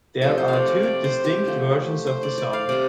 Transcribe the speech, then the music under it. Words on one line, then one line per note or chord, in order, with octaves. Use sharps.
There are two distinct versions of the song.
C3 F3 A3 A4
C5
F5
D5
D5
D5
C5
G4
D3 F3 A3
C5
D5
D5
F5
C3 G3 D5